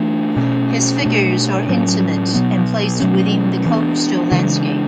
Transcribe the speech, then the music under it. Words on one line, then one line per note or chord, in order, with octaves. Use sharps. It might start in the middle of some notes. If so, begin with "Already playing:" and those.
His figures are intimate and placed within the coastal landscape.
Already playing: E3 A3 D4
B2 A3 C#4
B2 A3 D4
A2 F#3 C#4
B2 F#3 B3
B2 F#3 A3 C#4
E3 B3 D4
C#3 E3 G#3 D4